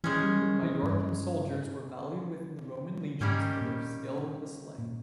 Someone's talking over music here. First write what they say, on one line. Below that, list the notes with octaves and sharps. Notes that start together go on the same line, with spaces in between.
Majorcan soldiers were valued within the Roman legions for their skill with the sling.
D#3 E3 G#3 C#4
G3
G3
E3
G2
G#2 D#3 G3 A#3 C#4 G4
A#2
A#2